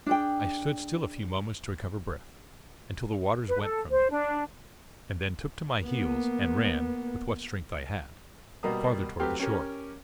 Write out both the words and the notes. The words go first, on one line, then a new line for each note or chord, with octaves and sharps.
I stood still a few moments to recover breath, and till the waters went from me, and then took to my heels and ran with what strength I had farther toward the shore.
D4 G#4 G5
B4
A4
C5
D4
A#3 B3
B2 G3 A#3 A#5 D#6
F#3 A3 C4 G4 B4 F6
C#4 G4 A#4